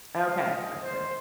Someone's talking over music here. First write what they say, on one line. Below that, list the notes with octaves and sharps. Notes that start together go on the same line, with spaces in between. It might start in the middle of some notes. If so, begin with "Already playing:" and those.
Okay. Gotcha.
D3 F3 G#3 C4 F5
D#5
C5